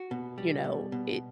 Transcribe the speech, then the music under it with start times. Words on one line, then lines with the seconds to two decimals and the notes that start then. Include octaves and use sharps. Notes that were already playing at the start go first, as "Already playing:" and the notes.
you know, it
Already playing: F#4
0.11 B2
0.38 G3
0.64 B2
0.92 B2